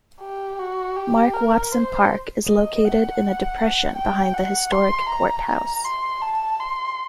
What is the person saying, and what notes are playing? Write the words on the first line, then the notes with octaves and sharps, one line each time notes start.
Mark Watson Park is located in a depression behind the historic courthouse.
G4
F#4
G4
A#4
C5
D#5
F#5
G5
F#5
C6
A#5
A#5
C6
A5
C6